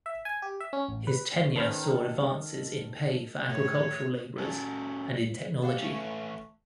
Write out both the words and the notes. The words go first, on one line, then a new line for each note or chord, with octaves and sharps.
His tenure saw advances in pay for agricultural labourers, and in technology.
E5
G#5
G4
E5
C#4
A1
B4
D#3 C#4 A4 B4 C5 F6
A2 C#5
F#3 C#4 A4
G4 A4 F5 F#5
E3 A3 C#4